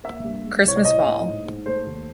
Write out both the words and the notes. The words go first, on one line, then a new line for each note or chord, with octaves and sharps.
Christmas Vol.
A#3 E5
G2
G#3
C2 C#5
D5
A2 D#5
A2
G#2
G#2
A3 C5
D#2